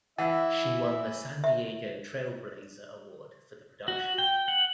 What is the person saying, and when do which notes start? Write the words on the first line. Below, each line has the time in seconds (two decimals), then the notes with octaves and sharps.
She won the San Diego Trailblazer award for the production.
0.18 E3 E4 E5 F#5
1.44 E5
3.88 F#4
4.18 G5
4.48 F#5